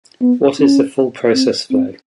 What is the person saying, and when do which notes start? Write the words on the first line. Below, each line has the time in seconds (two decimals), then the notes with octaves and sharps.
What is the full process flow?
0.22 B3
0.59 C#4
1.34 C4
1.71 C4